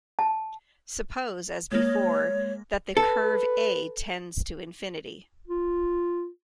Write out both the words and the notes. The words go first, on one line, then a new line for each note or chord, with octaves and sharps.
Suppose, as before, that the curve "A" tends to infinity.
A5
G#3 A#3 C#5
A4 B4
F4